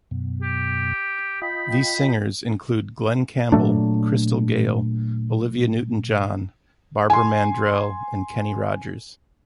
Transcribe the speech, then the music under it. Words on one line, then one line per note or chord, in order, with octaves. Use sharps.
These singers include Glen Campbell, Crystal Gayle, Olivia Newton-John, Barbara Mandrell, and Kenny Rogers.
F#2 B2
G4
F4 D#5 G5 B5
A#2 F#3 A3 D4
G#5 C6